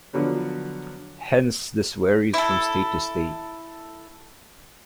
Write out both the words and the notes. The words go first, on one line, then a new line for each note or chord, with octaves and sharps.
Hence this varies from state to state.
D3 F3 F#3 B3
E4 A4